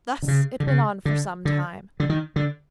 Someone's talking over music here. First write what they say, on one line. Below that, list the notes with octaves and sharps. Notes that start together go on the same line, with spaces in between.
Thus it went on for some time.
D3
C#3
D3
C#3
D3
D3
D3
D#3
D3